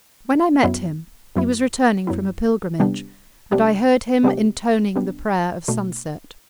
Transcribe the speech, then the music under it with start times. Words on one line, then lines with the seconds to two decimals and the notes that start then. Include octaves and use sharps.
When I met him he was returning from a pilgrimage, and I heard him intoning the prayer of sunset.
0.63 F#2 F#3 B3 E4
1.36 F#2 F#3 B3 E4
2.07 F#2 F#3 B3 E4
2.79 C3 G3 B3 D4 G4
3.52 C3 G3 B3 D4 G4
4.23 C3 G3 B3 D4 G4
4.96 C3 G3 B3 D4 G4
5.68 B2 A3 D4